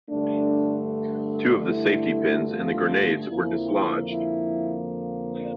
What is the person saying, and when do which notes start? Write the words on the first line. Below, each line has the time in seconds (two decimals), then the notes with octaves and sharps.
Two of the safety pins in the grenades were dislodged.
0.10 G2 D3 A3 D4
1.70 E4
2.50 F4
3.29 F2 D3 F3 A#3 E4
4.09 E4